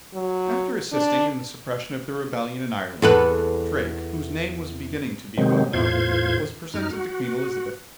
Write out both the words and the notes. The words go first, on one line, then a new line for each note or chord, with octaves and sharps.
After assisting in the suppression of the rebellion in Ireland, Drake, whose name was beginning to be well known, was presented to Queen Elizabeth.
F#3
D4
E2 A4 B4
C3 D#3 F#3 G#3 C4
E2 A2 F4 C5 G#6
F#2 D#4 F6
F#4